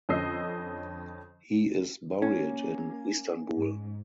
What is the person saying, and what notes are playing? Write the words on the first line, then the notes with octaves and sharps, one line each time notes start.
He is buried in Istanbul.
F2 D3 C#4 D#5 E6 C7
A#3 C#4
G#2